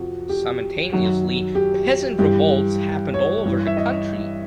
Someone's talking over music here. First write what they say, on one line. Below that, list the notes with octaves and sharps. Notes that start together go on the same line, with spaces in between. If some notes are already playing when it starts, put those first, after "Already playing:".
Simultaneously, peasant revolts happened all over the country.
Already playing: F2 C3 F3 F#4
G4
F#2 D#3 F#3 F#4
G4
G2 E3 G4
C#5
G2 E3
E5
D#5